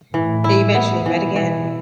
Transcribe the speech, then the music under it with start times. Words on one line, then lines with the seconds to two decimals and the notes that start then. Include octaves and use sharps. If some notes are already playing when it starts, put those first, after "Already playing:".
They eventually met again.
0.14 A2 E3
0.44 E4
0.75 B3
1.06 B2 E3
1.36 E3